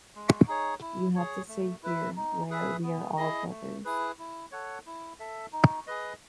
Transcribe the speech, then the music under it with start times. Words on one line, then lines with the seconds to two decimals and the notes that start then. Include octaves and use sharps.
You have to stay here, were we are all brothers.
0.15 G#3
0.47 D#4 G#4 C#5
0.81 E4
1.15 G#4 C#5
1.49 A3
1.83 E4 B4 E5
2.16 D#4
2.50 G#4 B4 E5
2.83 B3
3.17 E4 G#4 D#5
3.50 A3
3.85 E4 G#4 B4
4.19 E4
4.52 A4 C#5 F#5
4.86 E4
5.19 A4 E5
5.53 D#4
5.87 G#4 B4 D#5